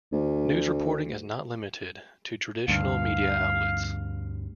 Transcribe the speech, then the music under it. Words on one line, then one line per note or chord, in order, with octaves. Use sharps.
News reporting is not limited to traditional media outlets.
D2
D2 G2 F5